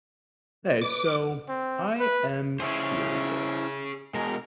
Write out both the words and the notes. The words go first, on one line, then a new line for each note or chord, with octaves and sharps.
Hey, so, I am curious.
B4 D6
C4
B4
C#4 E4 G#4 C5 C#5
B2 G#3 A#4